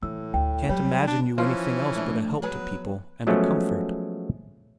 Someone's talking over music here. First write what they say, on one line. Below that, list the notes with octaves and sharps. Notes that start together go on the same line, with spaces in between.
I can't imagine you anything else but a help to people and a comfort.'
A2 E3 E6
D2 G5
F#3 G3 A3 C#5
D4
E3 F3 C#4
A3 D4
F#3 B3 G#4 B4
F3 F#3 G#3 A3 B3 C#4